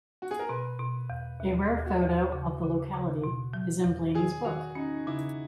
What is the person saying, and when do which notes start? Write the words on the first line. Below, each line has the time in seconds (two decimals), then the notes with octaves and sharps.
A rare photo of the locality is in Blaineys book.
0.22 F#4
0.31 G#4
0.39 A#4
0.49 B2 B4
0.79 B2
1.10 E2
1.40 D#2
1.71 D#2
1.86 F#4
2.01 D#2
2.32 C#3 F#4
2.63 C#3
2.93 C#3
3.24 B2
3.53 F#3
3.84 E2
4.15 D#3 G#4
4.45 D#3 F#4
4.75 C#4 D#4
5.07 C#3 E4